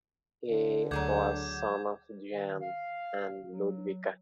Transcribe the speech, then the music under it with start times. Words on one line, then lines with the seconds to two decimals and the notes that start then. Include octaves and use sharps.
He was son of Jan and Ludwika.
0.48 D3
0.91 D2 F#3 G#4 F#5 D6 G6 G#6
2.28 D#3
2.61 F5
3.50 F#3